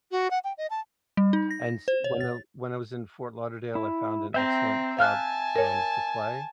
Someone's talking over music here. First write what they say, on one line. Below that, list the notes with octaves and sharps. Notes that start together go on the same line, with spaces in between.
and s when I when I was in Fort Lauderdale, I found an excellent club, um, to play,
F#4
F#5
G5
D#5
A5
G3
D#4
A#6
C5
C#5
A6
E4
C4 E5 G5 A#5
F5 G#5 A5 F6 F#6
A#4 C#5